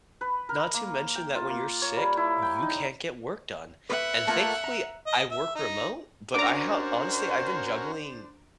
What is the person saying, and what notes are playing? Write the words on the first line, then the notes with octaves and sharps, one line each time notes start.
not to mention that when you're sick, you can't get work done. And, thankfully, I work remote, but I have honestly, I've been juggling
B4
A#4
A#3
G5
F4
A#3
C#5
G3
E4
G5
D#4
B4 E5 F#5
A3 A#3 F4
A#5
D#5
E5
D#4
C#4 D4 F#4 A#4 C5 D5 A#5 D6